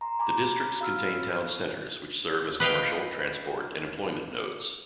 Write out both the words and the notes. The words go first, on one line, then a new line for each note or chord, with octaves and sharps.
The districts contain town centres which serve as commercial, transport and employment nodes.
A#5 C6
G#5 A#5 B5 D6
F#4 F5 B5 E6 F6
B4 D#5 F5 G5